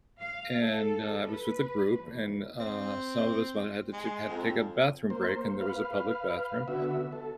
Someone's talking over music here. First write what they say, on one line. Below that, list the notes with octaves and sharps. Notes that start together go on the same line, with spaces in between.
and I was with a group, and, uh, some of us one had to to had to take a bathroom break, and there was a public bathroom.
F5
A4
B4
E2
C4
G#3
F2
A#3 C5
B4 F5
D3 B3 F#4 E5
A4